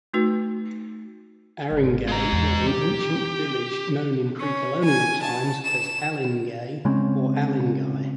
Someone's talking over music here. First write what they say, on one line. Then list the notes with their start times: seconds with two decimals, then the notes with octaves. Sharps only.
Aringay was an ancient village known in pre-colonial times as "Alingay" or "Alinguey".
0.14 A3 D#4 F#4 B4
1.70 G1 G#2
2.08 G#3 A#5
2.32 E2 B2
2.67 B2 G4
4.40 C#4
4.85 G#5
5.21 A5
5.65 E7
6.85 C#3 G#3 C4 C#4